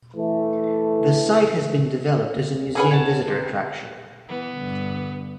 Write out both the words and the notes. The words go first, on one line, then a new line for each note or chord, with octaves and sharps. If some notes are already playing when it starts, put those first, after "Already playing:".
The site has been developed as a museum visitor attraction.
E3 A3
E3 C#4 G#4 B4 F#5 G#5
C#5 F#5 A5
C3
E3 B3
G2 D3